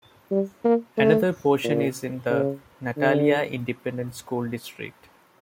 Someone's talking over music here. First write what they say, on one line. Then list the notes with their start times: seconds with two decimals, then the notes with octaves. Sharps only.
Another portion is in the Natalia Independent School District.
0.31 G3
0.64 A#3
0.97 A3
1.64 A#2
2.30 C#3
2.97 D3